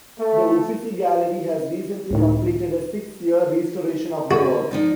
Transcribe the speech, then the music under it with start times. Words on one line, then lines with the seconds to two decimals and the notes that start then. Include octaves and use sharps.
The Uffizi Gallery has recently completed a six year restoration of the work.
0.19 A3
2.11 C#2 A2 D#3
4.31 D3 F#4
4.71 F3 D#4 D5